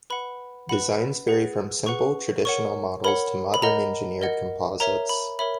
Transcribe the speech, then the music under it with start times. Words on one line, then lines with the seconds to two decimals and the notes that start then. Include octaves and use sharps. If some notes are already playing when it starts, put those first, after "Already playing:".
Designs vary from simple, traditional models to modern engineered composites.
0.10 B4 F#5 B5
0.69 B4 F#5 B5
1.28 G#4 B4 F#5
1.86 G#4 B4 F#5 C#6
2.45 A#4 C#5 F#5 C#6
3.04 A#4 C#5 F#5 B5
3.54 B5
3.62 A#4 D#5 F#5 A#5
4.21 A#4 D#5 F#5
4.80 A#4 C#5 E5 A#5
5.09 B5
5.39 A#4 C#5 E5 B5